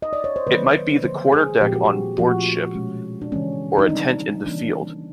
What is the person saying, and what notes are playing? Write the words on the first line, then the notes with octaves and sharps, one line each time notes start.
It might be the quarterdeck on board ship or a tent in the field.
D#5
D5
C#5
C5
D#3 F#3 B3 B4
D3 F3 A#3 C5
G#4
A#2 F3 G#3 C4 G4
F#4
G4
A#2 F3 A3 C#4 F#4
B2 G#3 C#4
D4
C#3 E3 G#3 C#4
D#4
D#3 G3 C4 D4
E3 G3 A#3 C#4 D4